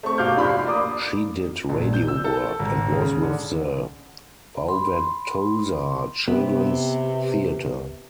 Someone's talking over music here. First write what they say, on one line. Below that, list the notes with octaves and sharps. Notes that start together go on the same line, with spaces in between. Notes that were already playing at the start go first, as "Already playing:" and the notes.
She did radio work and was with the Wauwatosa Children's Theatre.
A3 C4 C#6
G#1 B2 F5 D6 F6 G6
F1 C3 D4 F4 B5 C6
C7
A#3 D5 D6 D#6
A#1
G6
E6
A4
G#1
C#3
D3
B5 C6
C3 B3 C4